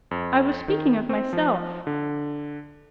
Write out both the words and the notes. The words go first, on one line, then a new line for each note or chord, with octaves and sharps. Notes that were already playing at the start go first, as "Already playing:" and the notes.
"I was speaking of myself."
F2
D#3
C4
F3
D3